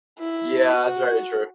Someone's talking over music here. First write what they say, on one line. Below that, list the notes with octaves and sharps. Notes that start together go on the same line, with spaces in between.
Yeah, that's very true.
E4
F#4